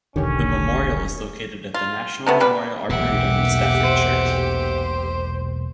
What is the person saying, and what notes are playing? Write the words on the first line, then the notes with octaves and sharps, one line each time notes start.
The memorial is located at the National Memorial Arboretum in Staffordshire.
E1 B1 D3 D#3 C#4 G4 C#5
F4
C3 A3 B3
F3 G3 B4
E1 B1 A#2 G4 E5 F#5 D6
C5